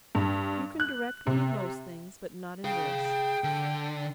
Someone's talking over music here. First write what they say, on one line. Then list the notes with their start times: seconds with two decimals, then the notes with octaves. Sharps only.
You can direct me in most things, but not in this.
0.15 G2
0.80 F#6
1.27 C3
2.64 G#4 F5 G5
3.44 D3